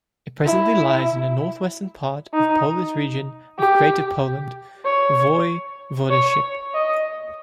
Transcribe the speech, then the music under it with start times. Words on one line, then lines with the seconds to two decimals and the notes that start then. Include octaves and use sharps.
It presently lies in the north-western part of Polish region of Greater Poland Voivodeship.
0.46 E4
2.34 D#4
3.59 G4
4.85 C#5
6.10 C#5
6.74 D#5